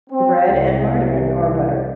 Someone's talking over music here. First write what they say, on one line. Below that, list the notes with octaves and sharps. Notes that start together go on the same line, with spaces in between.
bread and margarine or butter.
C4
C2